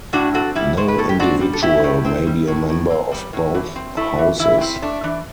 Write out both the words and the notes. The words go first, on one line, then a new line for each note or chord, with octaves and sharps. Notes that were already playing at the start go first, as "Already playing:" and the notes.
No individual may be a member of both Houses.
A2 D4 F#4
C4 F#4 A4
G3 E4
A2 C5
B4
A2 A4
G4
C4 D4 F#4
G3
A4
A2 E4 G4
A2
C4
G3
A2
A2
C4
G3
A2
E3
C4
A3 E4
E3
E3 E4
C4 E4
A3 D4
E3 D4